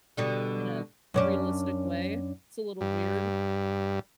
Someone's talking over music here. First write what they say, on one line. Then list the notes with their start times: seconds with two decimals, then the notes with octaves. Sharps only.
in a realistic way. It's a little weird,
0.17 B2 D3 G3
1.14 F#2 C#4 D4
2.81 G2